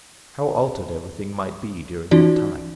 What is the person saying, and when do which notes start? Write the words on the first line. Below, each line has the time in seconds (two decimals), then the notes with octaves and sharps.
How altered every thing might be during that time!
2.11 E3 C#4 D#4 F4 F#4 D5